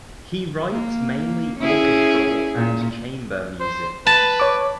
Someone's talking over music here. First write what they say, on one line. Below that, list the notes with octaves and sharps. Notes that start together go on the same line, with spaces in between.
He writes mainly orchestral and chamber music.
A#3
C#4 E4 G#4
A#2
C5
B4 A5
C#5 D6